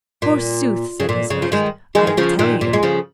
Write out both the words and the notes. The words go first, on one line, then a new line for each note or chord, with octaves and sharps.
Forsooth, said his host, I will tell you.
A#2
C#3
A#2
C#3
F3
D#3 G#3
D#3 G#3
G#3
C#3 F3
A#2 D#3
A#2
G#3
C#3 F3